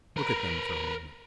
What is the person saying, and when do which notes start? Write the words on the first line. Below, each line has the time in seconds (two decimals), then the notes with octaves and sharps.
Look at them for a moment.
0.17 A#4 B4